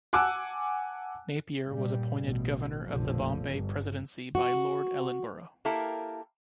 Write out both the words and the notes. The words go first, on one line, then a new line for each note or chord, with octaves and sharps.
Napier was appointed Governor of the Bombay Presidency by Lord Ellenborough.
F#5 G#5 A5 D6 E6 F#6
G2 A#2 G3
A1 B2
F1 A#1 B2 D3 F3
G1
F#4
A#3 E4 G4 A4 A#4